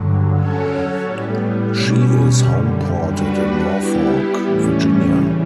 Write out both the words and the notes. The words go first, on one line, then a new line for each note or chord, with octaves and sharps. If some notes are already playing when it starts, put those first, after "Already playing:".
She is homeported in Norfolk, Virginia.
Already playing: G2 D3 F#3
F#3 C#4 F#4 A4 C#5
A2 G3 B3
B2 G3 C#4
F#2 D3 G3
G3 D4 F#4 B4
G3 B3 E4 G4
A2 E3 G3 C#4
E2 C#3 E3